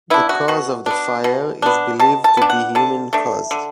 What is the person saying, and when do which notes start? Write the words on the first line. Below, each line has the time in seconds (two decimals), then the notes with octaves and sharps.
The cause of the fire is believed to be human caused.
0.10 B3 D4 E4
0.29 F#4
0.48 B2 F#4
0.86 B3 D4
1.24 B2
1.62 B3 D4
1.99 B2 A5
2.24 A5
2.37 B3 D4
2.50 F#5
2.75 D3 A5
3.13 A3 D4
3.51 D3